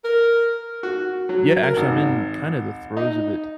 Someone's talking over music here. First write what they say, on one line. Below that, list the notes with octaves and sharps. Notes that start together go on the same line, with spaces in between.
Yeah, actually, I'm in kind of the throes of it
A#4
F#4
F#3
A#4
G#1
D#4